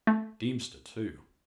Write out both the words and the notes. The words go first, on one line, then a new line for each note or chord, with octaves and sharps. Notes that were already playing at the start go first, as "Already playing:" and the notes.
Deemster too!
A3